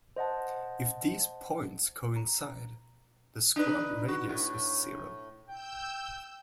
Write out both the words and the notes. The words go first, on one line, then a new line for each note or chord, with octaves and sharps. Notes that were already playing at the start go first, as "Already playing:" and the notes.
If these points coincide, the scrub radius is zero.
C5 D#5 F#5 A5
A#5
D4 D#4 B4
F#4
A2
G5 E6 G6